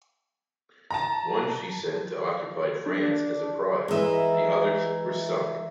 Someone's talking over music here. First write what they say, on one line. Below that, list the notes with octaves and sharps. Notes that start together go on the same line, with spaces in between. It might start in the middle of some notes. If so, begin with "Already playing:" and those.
One she sent to occupied France as a prize; the others were sunk.
A5 A#5
D4
E3 G#3 E5 A#5